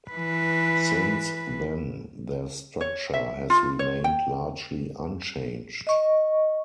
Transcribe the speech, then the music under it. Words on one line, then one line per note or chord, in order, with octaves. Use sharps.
Since then, their structure has remained largely unchanged.
E3 B4
C#5
E5
F4
C#5
G5
D#5 C#6